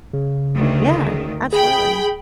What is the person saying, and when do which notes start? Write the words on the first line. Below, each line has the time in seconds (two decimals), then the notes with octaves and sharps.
Yeah, absolutely.
0.13 C#3
0.53 D2 D#3
1.53 G#4 G5 B5